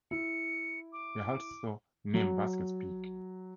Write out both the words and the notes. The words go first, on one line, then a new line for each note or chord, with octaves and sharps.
He also named Vasquez Peak.
E4 C#7
D6
F#3